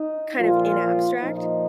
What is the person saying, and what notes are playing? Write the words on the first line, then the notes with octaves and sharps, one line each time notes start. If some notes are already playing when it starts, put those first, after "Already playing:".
kind of in abstract.
Already playing: D#4
A#2 F3 F4
A#2 F3 D#4